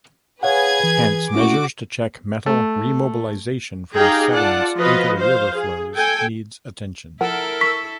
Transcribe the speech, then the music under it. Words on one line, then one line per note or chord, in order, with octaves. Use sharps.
Hence, measures to check metal re-mobilization from sediments into the river flows needs attention.
G#4 B4 C#5 F5 F#5 G#6
E3
A3 C#4 E4 F#4 D6
A3
D#4 G4 G#4 F5 G5 A#5
F4 D5 F#5 A5
F3 F4 F#4 B4 D#5
C5 F5
G#4
A4 G5 G#5
F3 E4 A4 A#4 F#5
C#6 E6 B6